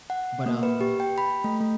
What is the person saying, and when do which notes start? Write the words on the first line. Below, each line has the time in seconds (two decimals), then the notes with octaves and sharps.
but, um
0.10 F#5
0.46 A#3
0.63 B4
0.81 G4
1.00 G5
1.18 B5
1.44 A3
1.61 A3